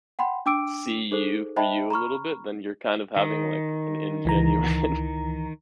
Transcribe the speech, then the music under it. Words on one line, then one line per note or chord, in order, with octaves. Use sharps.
see you for you a little bit, then you're kind of having, like, an ingenuine
F#5 G5 B5 C6
D4 G5 D6 E6 D7
D#4 G#4 A4 C5
C5 D#5 E5 G5 A5 B5
A#5 B5 C#6 F6
D#3
C#2 E3 A#5